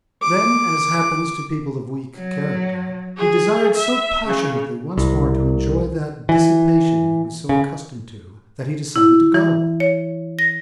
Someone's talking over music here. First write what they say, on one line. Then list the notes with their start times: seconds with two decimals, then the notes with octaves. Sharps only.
Then, as happens to people of weak character, he desired so passionately once more to enjoy that dissipation he was so accustomed to that he decided to go.
0.22 D6
2.16 F#3
3.16 G#4
3.74 E5
4.27 C#3
4.98 C2
6.29 E3
7.49 C#3
8.96 E4
9.34 E3
9.80 C#5
10.39 A#6